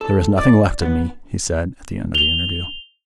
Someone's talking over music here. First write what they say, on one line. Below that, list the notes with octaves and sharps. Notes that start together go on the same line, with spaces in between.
"There is nothing left of me," he said at the end of the interview.
A4
D5
B3
F7 G7